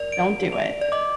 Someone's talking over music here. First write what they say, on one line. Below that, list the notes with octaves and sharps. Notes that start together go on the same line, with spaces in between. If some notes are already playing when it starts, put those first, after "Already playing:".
Don't do it.
Already playing: A#4 D5
D7
F7
D5
D#5 D6